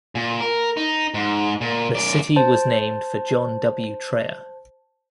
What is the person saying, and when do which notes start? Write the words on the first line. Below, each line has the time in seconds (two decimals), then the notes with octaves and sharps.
The city was named for John W. Traer.
0.15 A#2
0.41 A#4
0.77 D#4
1.14 G#2
1.61 A#2
1.95 F#2 D5
2.36 C5 A5